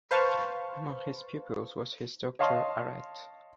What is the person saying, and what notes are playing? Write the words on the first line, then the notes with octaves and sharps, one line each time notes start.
Among his pupils was his daughter Arete.
B4 C5 F5 A5 C#6
C#5 D#5 F5 A5 C6 D#6